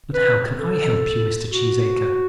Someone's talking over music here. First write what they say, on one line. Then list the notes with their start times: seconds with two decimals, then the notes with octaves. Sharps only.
"But how can I help you, Mr. Cheesacre?"
0.14 B4
0.59 A4
1.49 F#4